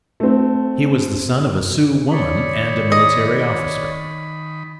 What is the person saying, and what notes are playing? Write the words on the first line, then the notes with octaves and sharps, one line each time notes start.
He was the son of a Sioux woman and a military officer.
A3 C4
D#3 C#5 D5 B5
D#5